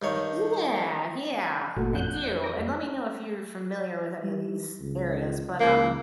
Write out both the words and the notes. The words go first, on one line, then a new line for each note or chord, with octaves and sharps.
Yeah. Yeah, I do. And let me know if you're familiar with any of these areas, but, um,
G2 D#3 C#5
G1 A#2 A3 F#4
F2 F#5 G6
D#5 D6 A#6
G3
G3
C#2
C#2 A#3